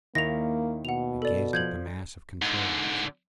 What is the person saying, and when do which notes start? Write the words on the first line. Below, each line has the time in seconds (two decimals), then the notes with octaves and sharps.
I gazed at the mass of controls.
0.15 D#2 D#3 A#3 E4 A#6 F7
0.85 B2 F#5 F7
1.22 A4 D5
1.53 F3 G6 G#6 F#7
2.42 G#2 D3